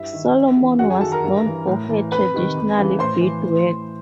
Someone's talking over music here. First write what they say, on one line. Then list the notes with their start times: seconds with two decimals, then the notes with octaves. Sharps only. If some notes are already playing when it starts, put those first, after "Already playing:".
Solomon was known for her traditional beadwork.
Already playing: G2 E4 E5
0.13 D#3
0.35 F2
0.57 C#3 E3
0.79 F#2 F#4 F#5
0.90 G#4 G#5
1.01 D#3 A4 A5
1.12 A#4 A#5
1.24 G2
1.46 E3
1.67 A2
1.89 E3
2.12 F2 B4 B5
2.34 C3 D#3
2.56 F2
2.78 C#3 E3
2.99 A2 C5 C6
3.21 E3
3.43 A2
3.66 E3